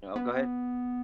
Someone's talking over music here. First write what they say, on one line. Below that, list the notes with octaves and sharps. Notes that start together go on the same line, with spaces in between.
no, go head.
B3